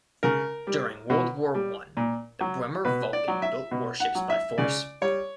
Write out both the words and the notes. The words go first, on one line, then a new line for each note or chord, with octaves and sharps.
During World War One the Bremer Vulkan built warships by force.
C#3 A#4
G3
B2
G3
A#2
F#3
B2 B4
D5
F#3
E5
B2
F#5
F#3
E5
C#3 D5
G3 C#5